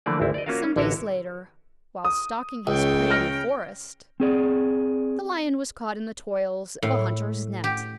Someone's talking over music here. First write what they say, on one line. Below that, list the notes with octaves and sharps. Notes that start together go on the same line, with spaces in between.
Some days later, while stalking his prey in the forest, the Lion was caught in the toils of a hunter's net.
D3 E3 F3 A3 A#3 D5
G#1 D2 C4 E4
D5 D#5
A#3 C#4 F4 F#4 A#4 F5
C#4
A1 D3 E4 F#4 A#4 C#5
D#6
C#2 C#3 G5
F6 A#6
C4 G#4 D5
A2
G4